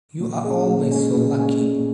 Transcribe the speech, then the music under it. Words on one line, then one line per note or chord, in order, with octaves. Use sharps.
You are always so lucky.
A#2
G#3 C#4
A#2
G#3 C#4
A#2
G#3 C#4
A#2